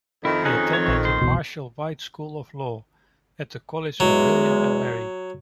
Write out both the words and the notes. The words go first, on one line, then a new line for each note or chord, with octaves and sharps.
He attended the Marshall-Wythe School of Law at the College of William and Mary.
F2 D#3 E4
C#4 D#4 G#4 F#6
C4 C#5
A#1
C5
F1 C2 B2 E3 C4
E2 F#3 G#3